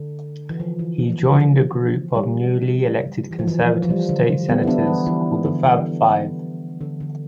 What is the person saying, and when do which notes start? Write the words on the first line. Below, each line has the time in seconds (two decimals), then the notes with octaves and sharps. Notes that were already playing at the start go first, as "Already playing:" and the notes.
He joined a group of newly elected conservative State Senators called the "Fab Five".
Already playing: D3
0.50 E3
0.60 F3
0.79 E3
0.99 F3
1.12 E3
1.24 F3
2.15 G3
3.31 E3
3.39 F3
3.48 E3
3.61 F3
3.83 F3
3.90 G3
4.09 D3
4.28 D3
4.49 G3 B3
4.63 E4
4.67 B3 D4
4.87 E3
5.06 E3
5.45 D3
5.64 E3
6.81 D3
7.00 D3